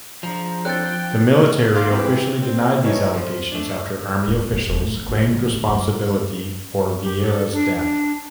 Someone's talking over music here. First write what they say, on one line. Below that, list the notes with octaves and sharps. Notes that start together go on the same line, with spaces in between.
The military officially denied these allegations after Army officials claimed responsibility for Vieira's death.
F3 D4 G#4 A#5
C4 D4 A4 G5 F#6 A6
F5 C6 D6 F6
E3 C4 G4 B4
C4
E3 A3 D#4 C#5
F3
A3 D4
D1
A#1
A#2
E1
A2
F2
A#2
C3
A#1
D2
F#2
G4
A4
D4
D4